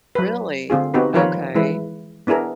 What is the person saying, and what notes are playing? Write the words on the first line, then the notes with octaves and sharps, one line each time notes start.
Really? Okay.
F#3 B4
D3 C4 F4 G#4
B3 C4 D#4 F#4 G4 B4
D#3 F3 F4 A#4 B4 C#5
E3 G#3 E4 B4
B3 D4 E4 G#4 A#4